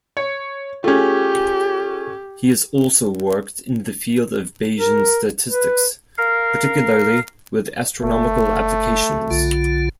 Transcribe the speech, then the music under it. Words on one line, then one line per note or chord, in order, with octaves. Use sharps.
He has also worked in the field of Bayesian statistics, particularly with astronomical applications.
C#5
A3 C#4 F4 G4 G#4
A#4
B4
A#4 F5
F#1 A3
B1 D3 F4